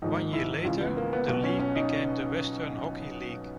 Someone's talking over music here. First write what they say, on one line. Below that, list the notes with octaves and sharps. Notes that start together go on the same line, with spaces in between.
One year later, the league became the Western Hockey League.
A#1 G#2 D#3 D#4
E4
C#2 C#3 E3
B3
A#3
B3
B1 B2 B3
C#4
C#4
D#4